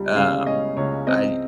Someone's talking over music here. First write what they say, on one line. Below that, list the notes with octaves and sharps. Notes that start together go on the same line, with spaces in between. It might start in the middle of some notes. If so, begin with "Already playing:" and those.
Um, I
Already playing: C#2 G3
C#3 F5
C#4 D#5
C#2 C#5
C4 D#5